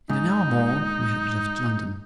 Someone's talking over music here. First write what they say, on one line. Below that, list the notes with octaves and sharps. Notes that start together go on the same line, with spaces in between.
In an hour more we had left London.
G#2 D#4